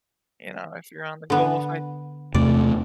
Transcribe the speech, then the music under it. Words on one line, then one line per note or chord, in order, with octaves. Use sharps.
You know, if you're on The Gulf,
D3 B3
E2 C3 A3 D5